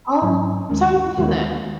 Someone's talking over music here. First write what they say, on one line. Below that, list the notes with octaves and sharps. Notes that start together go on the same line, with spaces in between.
Oh, I'm sorry to hear that.
G#2 F#3 C#4
D#2 D#3 G#3
D#2 D#3 G#3